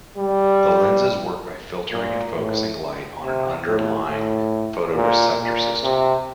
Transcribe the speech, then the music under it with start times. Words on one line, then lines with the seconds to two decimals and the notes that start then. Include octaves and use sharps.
The lenses work by filtering and focusing light on an underlying photoreceptor system.
0.17 G3
1.91 A#2
2.35 A2
3.22 C3
3.65 A2
4.09 A2
4.96 A#2
5.39 A#2
5.83 C3